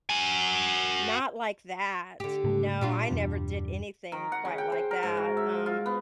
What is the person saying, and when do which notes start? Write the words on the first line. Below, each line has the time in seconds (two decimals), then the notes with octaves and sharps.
Not like that, no, I never did anything quite like that, um,
0.10 F#4 G#5
2.20 D3 G4
2.44 G#2 C#3 A3
2.81 A#2 G3 D4 F4
3.11 E2 G2 B2
4.12 D#3
4.32 F#5
4.45 C#3
4.58 G5
4.72 C5
4.91 A#4
5.03 G#2
5.17 F#4
5.37 E5
5.66 F4
5.86 B3